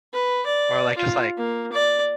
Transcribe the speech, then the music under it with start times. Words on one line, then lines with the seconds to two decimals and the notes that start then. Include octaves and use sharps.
Or, like, just, like,
0.14 B4
0.46 D5
0.98 F4
1.38 A#3
1.73 D5